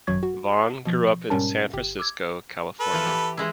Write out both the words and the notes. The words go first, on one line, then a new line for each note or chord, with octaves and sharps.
Vaughn grew up in San Francisco, California.
G#1 F#2 F#3 C#6 G#6
F#4
B2 F3
G#2 B2 G3 C#4 A#4 A5
G1 G4
D6 E6 G#6
A4 B4
E3 F3
G4
E3 G#3 E4